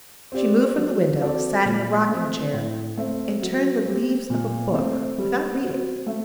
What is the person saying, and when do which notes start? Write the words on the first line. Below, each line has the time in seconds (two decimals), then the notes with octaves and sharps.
She moved from the window, sat in a rocking-chair, and turned the leaves of a book, without reading.
0.32 C4 G4 D5
0.76 F#3
1.21 C4 F#4 A4 D5
1.65 A#2
2.09 A3 C4
2.53 A2
2.97 A3 C4
3.41 F#3
3.86 C4 G4
4.30 A#2
4.74 A3 C4
5.18 G3
5.62 C4 F#4
6.07 A3